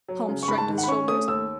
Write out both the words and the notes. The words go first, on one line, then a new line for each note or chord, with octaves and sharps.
Holmes shrugged his shoulders.
F#3
C#3
C#6
G#2 B5
A5
D#3
F#5
B5
C#4 C#6
A3 D#6
D#2 E6